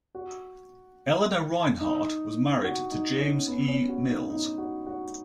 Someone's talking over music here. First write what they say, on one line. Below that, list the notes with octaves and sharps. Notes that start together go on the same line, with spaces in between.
Eleanor Reinhardt was married to James E. Mills.
F#4
D#4
F#4
D#4
C#4
B3
C#4
F#4
D#4
D#4
F#4
F#4